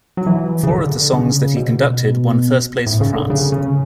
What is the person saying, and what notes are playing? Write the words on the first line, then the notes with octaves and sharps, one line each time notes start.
Four of the songs that he conducted won first place for France.
F#3
E3
C#3
D3
C#3
B2
A2
C#3
D3
C#3
C#3